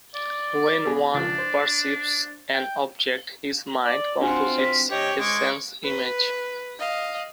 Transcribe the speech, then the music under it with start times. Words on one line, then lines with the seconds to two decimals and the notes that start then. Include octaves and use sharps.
When one perceives an object, his mind composites a sense-image.
0.14 D5
0.86 B3 G#4
1.14 C#2 F3 D4
1.38 C5
2.54 G5
3.84 D5
4.22 C4 D4 F4 F#4 F#5 C6
4.59 C5 B6
4.91 G4 C#5 D#5
5.19 G#3 C#6 D6 G#6
5.84 B4
6.79 D#5 F5